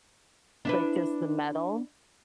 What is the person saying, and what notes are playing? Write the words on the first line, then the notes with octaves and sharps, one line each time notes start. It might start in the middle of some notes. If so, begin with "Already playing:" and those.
Like, just the metal
D4 E4 B4